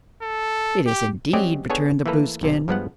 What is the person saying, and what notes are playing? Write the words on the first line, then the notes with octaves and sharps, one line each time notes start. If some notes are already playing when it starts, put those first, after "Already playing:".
"It is, indeed," returned the Blueskin.
A4
G4
F#3 C4 C#4 G4 D5 D#5
B3 D4 G#4 A4 C#5 G#5
E3 A3 A#3 A4 B4 A#5
B1 C3
G2 F3 G#3 B3 B4 F#5